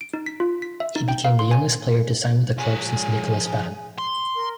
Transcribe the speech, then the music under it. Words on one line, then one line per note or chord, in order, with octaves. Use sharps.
He became the youngest player to sign with the club since Nicolas Batum.
D7
D#4
B6
F4
B6
E5
D#4
G5
F5
C6
G#5
F3 G#4 C#5 G#5
C6
A#4